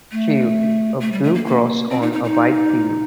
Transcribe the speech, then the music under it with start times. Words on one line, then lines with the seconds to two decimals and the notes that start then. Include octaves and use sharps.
Shield: A blue cross on a white field.
0.12 A3
1.01 A3
1.12 G3
1.23 A3
1.35 A#3
1.45 A#3
1.90 C4
2.02 D#4
2.13 D#4
2.24 D#4